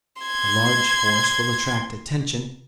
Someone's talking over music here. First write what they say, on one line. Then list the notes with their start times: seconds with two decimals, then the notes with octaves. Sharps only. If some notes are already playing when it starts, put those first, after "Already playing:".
A large force will attract attention.
0.22 C6 G#6